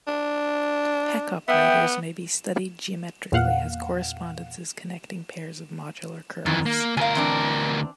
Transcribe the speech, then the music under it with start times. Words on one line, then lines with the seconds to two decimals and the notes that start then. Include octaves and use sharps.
Hecke operators may be studied geometrically, as correspondences connecting pairs of modular curves.
0.08 D4
1.49 B3 E5 G5
3.32 E2 A#2 F5 F#5
6.46 F2 D#3 E3
6.66 A#3
6.97 D2 A#4 F5 G#5
7.15 E3 C4 D4